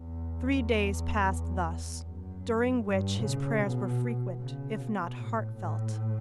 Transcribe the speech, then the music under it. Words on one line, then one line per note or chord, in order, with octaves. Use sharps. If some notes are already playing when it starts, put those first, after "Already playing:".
Three days passed thus, during which his prayers were frequent, if not heartfelt.
Already playing: E2
F#2
G2
C#3
B2
C#3
B2
A2
A2